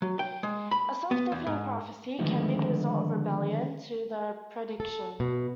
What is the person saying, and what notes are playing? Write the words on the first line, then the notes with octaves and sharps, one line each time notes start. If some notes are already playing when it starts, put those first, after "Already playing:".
A self-defeating prophecy can be the result of rebellion to the prediction.
F#3
G5
G#3
B5
B3
E2
G#2
D3 D#3 F3 G#3 A3 B3
A4
B2